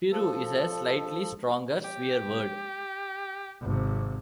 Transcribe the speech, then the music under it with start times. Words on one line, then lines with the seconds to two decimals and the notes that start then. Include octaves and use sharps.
"Piru" is a slightly stronger swear word.
0.11 F3 A4
1.85 G4
3.62 G#1 C3